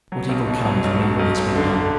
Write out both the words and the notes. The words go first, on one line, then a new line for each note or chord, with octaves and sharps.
What evil comes when evil has been done.
F#3
B1
B2
F#3
B1
F#3
B1
B1
D3
D3